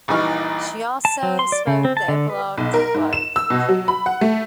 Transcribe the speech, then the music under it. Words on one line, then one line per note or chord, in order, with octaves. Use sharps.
She also spoke the epilogue to the play.
A#1 E3 G3 D#4 C#6 F6
A5
F#3
C6
D5
C#3
C4
A5
D3
B4
B1
A#4
G#2
E7
E6
B2
F#3
B5
F#5
A3